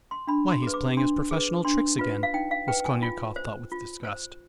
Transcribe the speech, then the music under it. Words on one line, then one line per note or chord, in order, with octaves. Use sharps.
"Why, he's playing his professional tricks again," Raskolnikov thought with disgust.
C6
D4 B5
C6
G#4 B4
D6
D4 C6
G#4 B4
D4 C6
F4 B4
F5
D#4 G5
F5
B4 G5
G#5
F4
C5
F4
C5